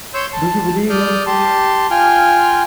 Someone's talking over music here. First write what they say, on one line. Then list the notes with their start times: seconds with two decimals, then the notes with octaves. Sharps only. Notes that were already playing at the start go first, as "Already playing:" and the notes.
Do you believe him?
0.14 C#5 C6 E6 G6
0.33 A5
0.90 D5 D#6 F6 G6
1.26 G4 A5 C6
1.91 F4 G5 G#5 F6